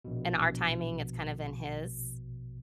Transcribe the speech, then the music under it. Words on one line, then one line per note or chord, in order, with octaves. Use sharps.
in our timing, it's kind of in his.
A#1 B2